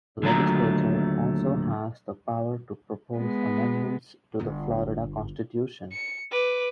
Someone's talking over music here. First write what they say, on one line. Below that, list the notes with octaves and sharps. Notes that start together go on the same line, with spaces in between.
The Legislature also has the power to propose amendments to the Florida Constitution.
D#2 D3 F#3 A3 F4 A#5
G#3 B3
G1 D4
C#7
B4 D6